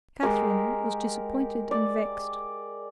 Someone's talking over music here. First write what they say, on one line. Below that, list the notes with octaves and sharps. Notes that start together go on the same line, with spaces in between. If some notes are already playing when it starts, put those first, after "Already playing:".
Catherine was disappointed and vexed.
G#3 G4 A#4
D5